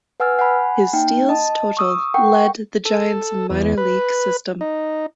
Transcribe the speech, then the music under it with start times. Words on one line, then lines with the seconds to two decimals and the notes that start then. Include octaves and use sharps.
His steals total led the Giants minor-league system.
0.20 B4 F#5 G#5 E6 F6 A6
0.39 F#5 G#5 B5
0.93 A#3 D#4 G5
1.29 D#5 A5
1.77 C#6 D#6 E6
2.14 A#4 F#5 G5 C#6
2.85 A4
3.50 E2
3.78 B4
4.61 D#4